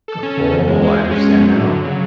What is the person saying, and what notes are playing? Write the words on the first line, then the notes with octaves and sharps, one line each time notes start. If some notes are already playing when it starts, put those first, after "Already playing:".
U Oh, I understand now.
A4
C#4
C#3
E2
G#3
G#3
G#3
C#4
B2
F#3
D3
F#3
C#3